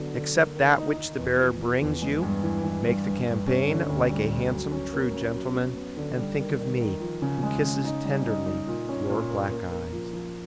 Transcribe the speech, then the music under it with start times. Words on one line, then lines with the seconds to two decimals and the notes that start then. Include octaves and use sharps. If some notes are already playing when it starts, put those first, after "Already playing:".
Accept that which the bearer brings you; make the campaign like a handsome true gentleman, and think of me, who kisses tenderly your black eyes.
Already playing: D3 F#3 B3
0.14 D3
0.35 A#3
0.56 D#3
0.77 D#4
0.97 D#4
1.18 E2
1.39 F3
1.59 F3
1.81 E2
2.01 G#3
2.22 G2
2.43 E3
2.64 E3
2.84 G2
3.06 G2
3.26 G2
3.47 C#4
3.69 D3
3.88 D2
4.09 G3
4.31 D2
4.51 F#3
4.71 C#4
4.93 A#3
5.14 C#4
5.34 F#3
5.55 B3
5.76 B3
5.97 D3
6.17 G3
6.39 D#3
6.59 D#3
6.81 D#3
7.00 F3
7.22 C#3
7.43 G#3
7.63 C#3
7.84 D#4
8.05 G3
8.26 D#4
8.46 D#4
8.67 A#2
8.89 C#4
9.09 A#2
9.30 A#3
9.51 A#3
9.71 A#3
9.92 F3
10.13 F3